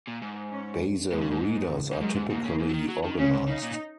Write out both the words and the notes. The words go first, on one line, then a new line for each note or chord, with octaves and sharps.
Basal readers are typically organized.
A#2
G#2
C#4
G#2 G#3
C#3
G#2
G#3
G#2
F#2 G#3
G#2
G#2 A#3
C#3
G#2
F#3
D#3
F#3
D#3
C#3 C#4
G#2
C#3 D#4
A#2